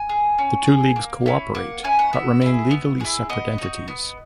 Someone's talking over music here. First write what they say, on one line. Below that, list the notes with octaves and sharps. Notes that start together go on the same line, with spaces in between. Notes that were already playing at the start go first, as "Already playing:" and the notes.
The two leagues cooperate but remain legally separate entities.
Already playing: G#5
G#4
C#4
G#4
A#3
C#4 E4
A#3 F#5
C#4 E4 G#5
F#5
B3 E5
E4 G#4
B3
E4 G#4
B3 D#5
D#4 F#4
B3